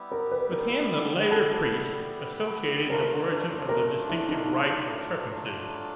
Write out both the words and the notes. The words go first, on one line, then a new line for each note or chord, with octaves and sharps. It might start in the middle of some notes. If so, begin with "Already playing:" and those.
With him the later priests associated the origin of the distinctive rite of circumcision.
Already playing: G3 B3 E4 G4
A#4
B4
A#4
A4
F#3 A3 D4 F4 A#4
B4
A#4
E4
D#4